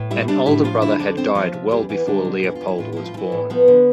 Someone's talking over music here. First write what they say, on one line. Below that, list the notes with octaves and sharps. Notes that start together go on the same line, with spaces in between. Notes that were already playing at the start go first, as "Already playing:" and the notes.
An older brother had died well before Leopold was born.
Already playing: A2
G3 E4 E5
G3 D4 D5
A2 E4 E5
F3 F4 F5
D3 E4 E5
F2 D4 D5
F2 C4 C5
F3 C4 C5
C3
E2 G3 G4
E2 E3 E4
D3 G3 D4
B2
E2 E4
F4
E2
E4
A2 F4
F3 E4
F4
F3
E3 E4
A2
F3 B3
D3